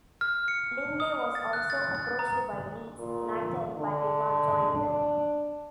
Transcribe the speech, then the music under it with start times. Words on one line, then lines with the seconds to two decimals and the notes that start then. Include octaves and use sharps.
Lindley was also approached by Leeds United but did not join them.
0.21 F6
0.48 C#7
1.00 D#6
1.35 A6
1.53 F#6
1.70 A6
1.95 A6
2.19 A#5
2.98 A#2
3.77 D3
4.71 D4